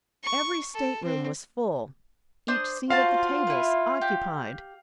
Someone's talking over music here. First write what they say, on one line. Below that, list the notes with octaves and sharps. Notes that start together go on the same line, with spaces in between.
Every stateroom was full; each seat at the tables occupied.
C#6
A4
C4
D4 C5 D#6
F4 F#4 C5 F5 A5
E4 B4
G4